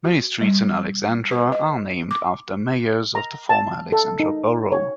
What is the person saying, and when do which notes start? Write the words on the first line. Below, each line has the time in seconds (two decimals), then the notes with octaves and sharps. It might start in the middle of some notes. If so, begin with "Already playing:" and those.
Many streets in Alexandra are named after mayors of the former Alexandra Borough.
0.04 F#4
0.41 G3
1.31 B4
1.52 D#5
2.11 D6
3.15 A#5
3.49 A5
3.92 A4
4.20 D#4
4.72 C#5